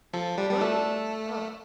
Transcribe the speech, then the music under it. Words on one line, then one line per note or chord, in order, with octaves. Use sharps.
Right. Ugh.
F3 A4
G3 D4
G3
A3 A4